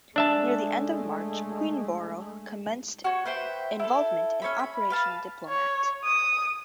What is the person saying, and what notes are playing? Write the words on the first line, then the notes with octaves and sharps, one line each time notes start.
Near the end of March, "Queenborough" commenced involvement in Operation Diplomat.
G#3 A3 D4 E5 A5
F#4 C#5
B4 C5 E5 G5
E4 A4
C#4 C#5 E5 B5
B5
B4 F5 A5
C#5
D#6